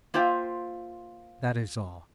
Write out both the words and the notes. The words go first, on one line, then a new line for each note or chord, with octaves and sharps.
That is all.
A#3 F4 C5 E5 G5